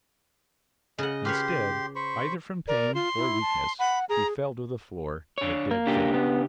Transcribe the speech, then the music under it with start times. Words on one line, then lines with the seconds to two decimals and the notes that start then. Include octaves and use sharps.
Instead, either from pain or weakness, he fell to the floor in a dead faint.
0.98 C#3 D#5 F#5
1.25 F4 G4 B4 C#5 C6
1.96 C5 B5 C#6
2.68 A#4 D5
2.95 F4 C6
3.17 E4
3.41 A5
3.79 F#5 B5
4.09 G#4 A#5
5.38 D3 C#5
5.71 A#3
5.87 C#3 D4 G4
6.14 B3